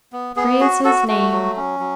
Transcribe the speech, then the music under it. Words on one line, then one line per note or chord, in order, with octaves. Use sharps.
Praise his name!
B3
B3 G#4
F#4 G#4
F#4 A4
A3 F#4
F#3
C#4
F#3